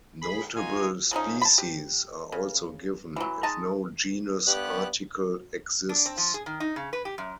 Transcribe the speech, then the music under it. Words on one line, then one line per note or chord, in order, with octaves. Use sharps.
Notable species are also given if no genus article exists.
G#4 B5
D#4 F4 F#4 G#5
C#3 F3 C#4 D#4
A5 B5
G4
C#3
E3 F#3
G#3 D#4 D#5 A5
G2 B3 G4 F#6
D4
C4
F3
G#4
D#3
D#4
C#3
B4
G4
F#2